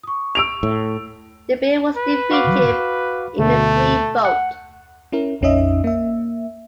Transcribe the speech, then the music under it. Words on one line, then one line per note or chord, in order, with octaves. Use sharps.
The bill was defeated in a free vote.
C#6 D#6
E6 D7 F7
A2
B4
F#4 F5 D6
D2 B2 A3
F#5
C#4 E4 A#4
A#1 F2 C#4 D#4 D#5 E5
A#3 E5